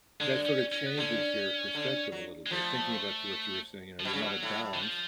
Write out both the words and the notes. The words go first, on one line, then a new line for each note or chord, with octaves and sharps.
that sorta changes your perspective a little bit, thinking about you're what you were saying, you know, you wanted balance,
D3 G#3
C#4
C#4
B3
D3 C#4
D3
F#3
G#3
F3 A3
F3
B2 F#3
C#3
B2
A2
D3
F3